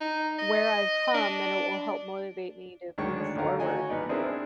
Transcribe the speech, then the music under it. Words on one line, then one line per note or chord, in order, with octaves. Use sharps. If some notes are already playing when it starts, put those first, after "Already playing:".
where I've come, then it will help motivate me to move forward.
D#4
D#5
D4
D2 D#3 G#3 D4 C#5 C#6
D2 D3 D#3 C#5 F5 A#5
F#4 C#5 D#5 G#5
A#1 B3 D#4 D5
C4 D4 E4 G#4 A#4